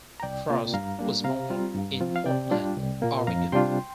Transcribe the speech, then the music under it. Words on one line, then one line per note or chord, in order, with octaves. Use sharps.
Frost was born in Portland, Oregon.
A#5
C2 D5 G5
C3 A#3 F4
G2 F5 A#5
G3 A#3 D4
C3 F5 A#5
G3 C4 F4
G2
F3 C4 F4
F5
C3 D5 G5
G3 D4 F4
C2
A#2 A#3
F2 F5 A#5
C3 G3 D4 F4 G5 C6